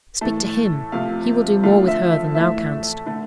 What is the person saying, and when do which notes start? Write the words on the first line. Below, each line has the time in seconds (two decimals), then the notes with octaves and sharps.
Speak to him; he will do more with her than thou canst.
0.21 A2 E3 A3 A4
0.92 C3 F3 A3 F5
1.63 D3 F3 A3 F5
1.88 E5
2.11 E5
2.35 A2 E3 A3 E5
3.06 D3 A3